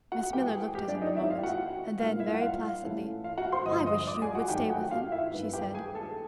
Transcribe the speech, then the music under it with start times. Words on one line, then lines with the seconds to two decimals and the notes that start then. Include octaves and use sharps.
Miss Miller looked at him a moment, and then, very placidly, "I wish YOU would stay with him!" she said.
0.12 F#4 F#5
0.33 E3 G#3 B3 G4 G5
0.46 G#4 G#5
0.74 G4 G5
0.88 D4 D5
1.02 D#4 D#5
1.15 D#3 G#3 C4 E4 E5
1.30 F4 F5
1.39 G5
1.43 F#4 F#5
1.99 A#2 G3 A#3 D#4 F4 F5
2.20 E4 E5
2.35 F#5
2.41 F4 F5
2.83 A2 E3 A3 C#4 E4
3.24 F4 F5
3.38 F#4 F#5
3.52 C5 C6
3.65 G2 D3 F3 G#3 D#5 D#6
3.86 D#5 D#6
4.07 D5 D6
4.22 G#4 G#5
4.35 F#4 F#5
4.49 G#2 D#3 F#3 A3 G4 G5
4.70 F#4 F#5
4.90 F4 F5
5.12 E4 E5
5.32 G2 D#3 F#3 B3
5.53 G4 G5
5.74 G#4 G#5
5.95 A4 A5